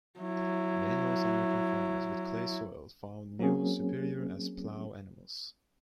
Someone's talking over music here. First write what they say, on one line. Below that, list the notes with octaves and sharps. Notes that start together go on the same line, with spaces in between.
Many North American farmers with clay soil found mules superior as plow animals.
F#3 E4
F#3 A#3 C4 C#4 G#4